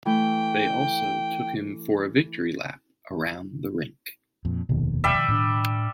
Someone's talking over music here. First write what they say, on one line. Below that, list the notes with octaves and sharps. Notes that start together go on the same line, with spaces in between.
They also took him for a victory lap around the rink.
E3 A3 G5
F2 A#2
F1 D#2 B2 D#3 F3
G3 E5
A2 C#4 D4